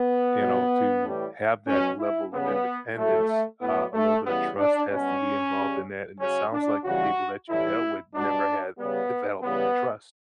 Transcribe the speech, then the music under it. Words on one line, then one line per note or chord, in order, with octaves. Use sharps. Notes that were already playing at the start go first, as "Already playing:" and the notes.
you know, to have that level of independence, uh, a little bit of trust has to be involved in that, and it sounds like the people that you dealt with never have developed trust.
Already playing: B3
B2 F#3
A2 E3 G3
B2 F#3 C#4
E4
C#3 G3 B3
A2 F#3 A3
A2 F#3 B3
A3
C#3 E3 G3 B3
D4
B2 G3 C#4
C#3 G3
C#3 F#3 C#4
D4
C#3 E3 G3 F#4
A2 E3 G3 E4
B2 G3 D4
C#3 G3 B3
C#3 E3 G3 B3